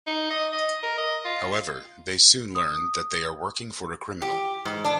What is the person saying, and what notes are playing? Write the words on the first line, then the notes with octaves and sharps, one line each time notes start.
However, they soon learn that they are working for a criminal.
D#4
D#5
D#5
A#4
D#5
F4
D#6
G4
G#2
D4